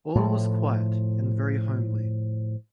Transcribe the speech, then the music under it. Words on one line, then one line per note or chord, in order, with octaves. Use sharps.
All was quiet and very homely.
A2 F3